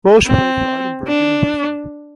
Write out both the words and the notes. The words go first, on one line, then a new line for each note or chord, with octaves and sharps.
Welsh played for Edinburgh University.
C4
D4